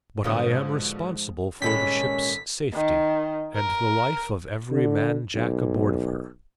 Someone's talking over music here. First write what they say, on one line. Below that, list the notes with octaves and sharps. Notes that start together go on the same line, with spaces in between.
But I am responsible for the ship's safety and the life of every man Jack aboard of her.
G#2 B2 D3 F3 D#6
G#1 A#2 G#3 C#4 G4 A4 B5 B6
D#3
A#4
D3
B1